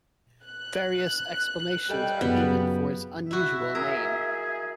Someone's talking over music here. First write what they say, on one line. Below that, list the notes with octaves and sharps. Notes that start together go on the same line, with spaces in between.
Various explanations are given for its unusual name.
F#6
G3 A4 D#5 G5
F#2 C#3 B3
E4 F#4 E5
G#4 A#4